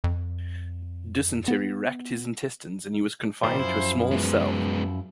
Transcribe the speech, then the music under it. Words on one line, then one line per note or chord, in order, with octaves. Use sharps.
Dysentery racked his intestines and he was confined to a small cell.
F2
B3
A#2 D#3 G3 C5
F#2 F3 E4
G#3 B3